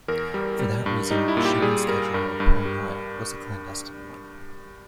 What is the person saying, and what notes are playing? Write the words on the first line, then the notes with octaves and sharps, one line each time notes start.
For that reason, the shooting schedule of "Paranoia" was a clandestine one.
E2 A#4
G3
G3
G2
G3 D#4
E4
A#2
G4
G3 G#4
G3 A#4
G2 A#4
G2
G3